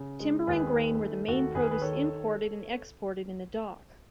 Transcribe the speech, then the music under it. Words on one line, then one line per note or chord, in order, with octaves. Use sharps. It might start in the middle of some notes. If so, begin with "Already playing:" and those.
Timber and grain were the main produce imported and exported in the dock.
Already playing: C#3
G#3
D#2 G#4 B4
D#3
A3
D#2 F#4 A4
D#2 G#4 B4
B4
D#3 A4 C#5